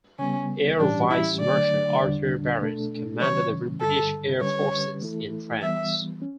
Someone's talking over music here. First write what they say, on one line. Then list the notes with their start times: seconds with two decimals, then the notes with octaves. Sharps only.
Air Vice-Marshal Arthur Barratt commanded the British Air Forces in France.
0.19 C#3 G3 B3 C#4
0.79 A2 E3 G3 C#4 D4 G4
1.10 E4
1.40 D3 F#3 A3 D4 D5
2.00 E2 D3 G3 D4
2.60 B2 A3 D4 A4
3.21 C#3 E3 G3 C#4 C#5
3.81 G2 D3 G3 A4
4.41 D3 G3 C#4 G4 B4 C#5
5.02 E3 A3 E4 A4
5.62 E3 G3 B3 E5
6.22 C#4